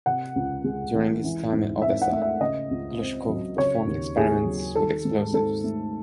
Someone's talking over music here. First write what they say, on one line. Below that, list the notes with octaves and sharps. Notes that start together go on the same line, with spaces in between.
During his time in Odessa, Glushko performed experiments with explosives.
C3 F#5
C#2
G#3
E3
E3
G#2
C4 E5
F#5
A3
E5
C#3 D#5
C#2
C4
F#3
C#3 C#5
D#2
D#2 G#4
F#3
D#3 A4
G#2
G#2 A4
A3